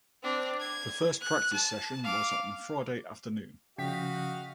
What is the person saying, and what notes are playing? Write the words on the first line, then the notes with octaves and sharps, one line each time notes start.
The first practice session was on Friday afternoon.
C4 D4
G#6
F#6
A5
F5 D6
C#3 F3 F#4 D#5 F5 G5 B6